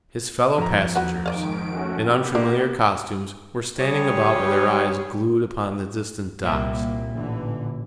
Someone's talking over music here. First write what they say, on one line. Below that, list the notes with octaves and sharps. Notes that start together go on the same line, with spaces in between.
His fellow passengers, in unfamiliar costumes, were standing about with their eyes glued upon the distant docks.
F2 A#5
F#4 B4 F#5
G#2 D#3 D5 D#5 F5 D7
A3 C#4 F#4
B3 G4
A#3 D4
C3 G3 G4 G#4 C#5
C2 A#2 A#3 E5
A1 D3 E3